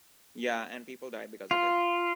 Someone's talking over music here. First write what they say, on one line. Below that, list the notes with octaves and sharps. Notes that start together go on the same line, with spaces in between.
Ya and people died because of it.
F4